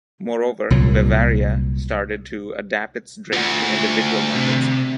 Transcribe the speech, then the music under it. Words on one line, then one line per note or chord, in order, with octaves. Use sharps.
Moreover, Bavaria started to adapt its drinks to individual markets.
C2 A#2 F#3
D2 F4 F#5
C3